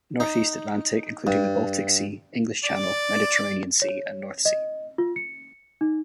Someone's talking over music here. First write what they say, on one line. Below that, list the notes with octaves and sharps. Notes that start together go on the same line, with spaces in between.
Northeast Atlantic including the Baltic Sea, English Channel, Mediterranean Sea and North Sea.
D#4
G2
D5
C#5
D#5
F4
C#7
D#4